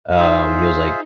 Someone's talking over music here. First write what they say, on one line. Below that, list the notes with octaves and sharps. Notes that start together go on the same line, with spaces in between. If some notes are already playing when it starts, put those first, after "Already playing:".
um, he was, like
D#4 F4 G#4 C5 E5